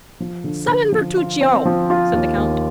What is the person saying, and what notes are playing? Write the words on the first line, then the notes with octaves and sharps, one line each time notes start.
"Summon Bertuccio," said the count.
F3
D3
D3
F3
F4
C4
F3
F4
D#2
D#2